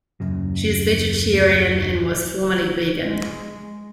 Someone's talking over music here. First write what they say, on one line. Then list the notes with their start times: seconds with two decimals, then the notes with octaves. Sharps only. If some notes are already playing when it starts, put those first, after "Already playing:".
She is vegetarian and was formerly vegan.
0.20 D#1 F#2 C#3 F#3
3.01 G#3